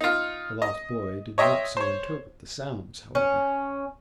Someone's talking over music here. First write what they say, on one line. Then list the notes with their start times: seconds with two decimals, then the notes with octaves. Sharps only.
The lost boy did not so interpret the sounds, however.
0.01 D#4 F4
0.62 D#5
1.38 C#5 D#5 E5 G5 C6
1.77 C5 C#5
3.15 C#4